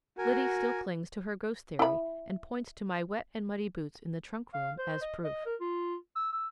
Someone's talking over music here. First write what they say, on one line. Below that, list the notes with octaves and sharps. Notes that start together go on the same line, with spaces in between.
Liddy still clings to her ghost theory, and points to my wet and muddy boots in the trunk-room as proof.
F#4 A#4 G#5
E4 B5
F5
C5
D#5
D#5
A#4
F4
E6
E6